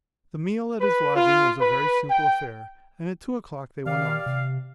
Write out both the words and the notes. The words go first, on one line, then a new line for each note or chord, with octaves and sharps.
The meal at his lodging was a very simple affair, and at two o'clock they went off.
B4
F4
B4
G5
D#3 G4 D5 F5
C3